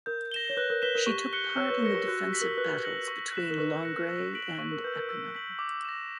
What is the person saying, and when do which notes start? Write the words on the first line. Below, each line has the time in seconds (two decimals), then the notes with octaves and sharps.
She took part in the defensive battles between Langres and Epinal.
0.06 A#4 G6
0.32 A#6 E7 G7
0.49 C#5
0.57 B4 F#6
0.70 A#4
0.82 B4 B6 E7 G7
0.95 A#4
1.07 G4 C#6
1.33 F#6 C#7 G7
1.57 C#5 E6
1.70 B4
1.83 A#4 A#6 C#7 G7
1.95 G4
2.08 F#4 F#6
2.24 G4
2.33 B6 F#7
2.41 A#4
2.57 B4 F#6
2.83 A#6 C#7 F#7
3.08 C#6
3.33 F#6 B6 E7
3.50 A#4
3.58 B4 C#6
3.83 F#6 A#6 C#7
4.09 E6
4.33 B6 D7 F#7
4.59 C#6
4.71 A#4
4.84 B4 E6 G6
4.97 A#4
5.09 E6
5.35 B6 F#7
5.59 D6
5.85 A#6 E7